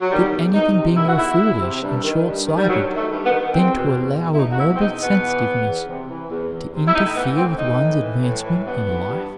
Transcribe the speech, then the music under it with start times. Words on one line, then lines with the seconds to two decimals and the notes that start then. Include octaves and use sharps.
Could anything be more foolish and short-sighted than to allow a morbid sensitiveness to interfere with one's advancement in life?
0.01 F#3
0.11 D#3 G3
0.33 E2
0.54 E2 D#4
0.76 C3
0.97 D#3 E4
1.08 F#4
1.18 E2 E4
1.40 E2
1.61 C3
1.82 G2
2.04 D#3
2.25 G2
2.47 D#3
2.57 G3
2.68 G2 F#3
2.89 D#3
2.96 A3
3.10 G2
3.25 B3
3.32 D#3
3.53 E2 C4
3.74 B2
3.96 E2
4.17 B2
4.34 E4
4.38 E2 D#4
4.51 F#4
4.60 B2 E4
4.76 C4
4.81 E2 D#4
5.03 B2 B3
5.24 E3
5.45 E2
5.67 E2
5.88 C3
6.09 E3
6.30 E2
6.51 E2
6.73 C3
6.87 E4
6.95 A2 D#4
7.16 E3 B3
7.37 A2 C4
7.58 E3 D#4
7.80 A2
8.01 E3
8.22 A2
8.44 E3
8.65 G2 B3
8.87 E3
9.08 G2